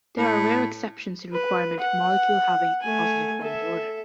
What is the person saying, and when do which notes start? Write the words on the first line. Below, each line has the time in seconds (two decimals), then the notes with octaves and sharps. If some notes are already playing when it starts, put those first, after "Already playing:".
There are rare exceptions to the requirement of molecule having a positive bond order.
0.17 A2
1.32 B4
1.80 F#5
2.82 A3 G#5
3.41 A4 E5